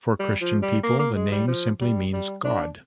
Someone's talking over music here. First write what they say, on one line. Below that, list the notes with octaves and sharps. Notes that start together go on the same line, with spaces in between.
For Christian people, the name simply means "God".
G3
F3
G3
A#3
A#3
G#3
G3
F3
G3
G3
D4